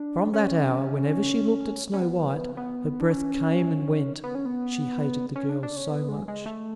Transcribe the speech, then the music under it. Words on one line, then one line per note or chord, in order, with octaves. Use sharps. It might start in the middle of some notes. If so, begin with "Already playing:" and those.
From that hour, whenever she looked at Snow-white, her breath came and went, she hated the girl so much.
Already playing: D4
C#4
C#4
B3
B3
D4
C#4
B3
C#4
B3
C#4
D4
D4
C#4
B3
G#3
G#3
A3